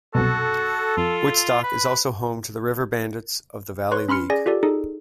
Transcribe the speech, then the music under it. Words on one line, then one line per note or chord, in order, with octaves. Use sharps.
Woodstock is also home to the River Bandits of the Valley League.
C2 F#2 B2 F#4 A4
F2 F4
B4
B4 C#5 C6 C#6
C#4 B5 C6 F6 C#7
G#4 D5 G#5 A#6
F4 G4 A4 D5
D#4 G#4 A4